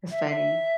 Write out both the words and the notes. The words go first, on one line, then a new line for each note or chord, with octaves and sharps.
it's funny.
E5
E5